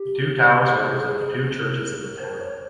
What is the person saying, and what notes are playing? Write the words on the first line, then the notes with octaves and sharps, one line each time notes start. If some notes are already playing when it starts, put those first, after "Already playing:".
The two towers represent the two churches in the town.
Already playing: G4
G#4
A#4
C5
C#5